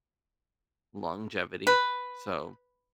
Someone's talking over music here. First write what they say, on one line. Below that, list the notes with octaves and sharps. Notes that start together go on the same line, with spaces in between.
longevity. So,
B4